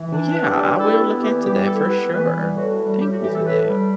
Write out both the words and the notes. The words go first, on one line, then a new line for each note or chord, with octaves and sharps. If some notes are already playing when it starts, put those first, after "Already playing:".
Well, yeah, I will look into that, for sure. Thank you for that.
Already playing: E3
D4
E3 B4
G4
G3 G4
G4
E4 A4
B3
E3 G4
G3 G4
E4 A4
B3 B4
E3 B4
G3
A2 F#4
G3
A2 G4
F#4
E3 G4
A4
A2 B4
G3